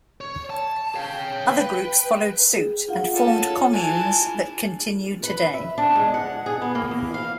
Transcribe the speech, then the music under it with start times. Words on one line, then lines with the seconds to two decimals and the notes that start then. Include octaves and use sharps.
Other groups followed suit and formed communes that continue today.
0.21 C#5
0.50 A5
0.95 C#5 F5 G5
1.46 B4
2.53 G#4
2.89 F4 F5 F#5
3.15 C#4 A4 A5
3.73 E3 G#5 A5
5.23 B4
5.54 E5
5.78 D4
5.95 G#3
6.14 F#5
6.46 G#4
6.62 B3
6.75 A#3
6.91 E3
7.14 F5